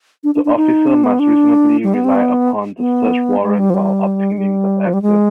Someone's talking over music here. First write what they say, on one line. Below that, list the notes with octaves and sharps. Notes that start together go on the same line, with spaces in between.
The officer must reasonably rely upon the search warrant while obtaining the evidence.
D4
D4
D4
D#4
D4
B3
D4
G3
B3
C4
B3
B3
G#3
G3
F3
G3
G#3
G3
F3
G3
G#3